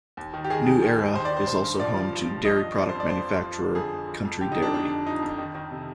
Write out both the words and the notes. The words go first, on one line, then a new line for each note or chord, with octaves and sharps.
New Era is also home to dairy product manufacturer, Country Dairy.
D#2
D#3
G4
D#3 G#4
D#2
D#3
D#2
D#3 C5
D5
D#3
C5
G2 C5
G2
F3 D5
F3
G2
F3
F3 D#5
G2
F3 D5
C5
F2
D5
F3 C5
F2
F3
D3
F2 G#4
F2
F3
F2
D3 G4
D#4
F2
D4
F2 D4
F2
F3 D#4
F2
D#3
D#3
C3